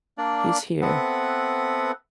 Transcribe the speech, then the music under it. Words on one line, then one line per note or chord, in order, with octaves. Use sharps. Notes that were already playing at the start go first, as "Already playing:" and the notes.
He's here.
A#3 D4 D5
B3 C4 A4 B4 E5 F#5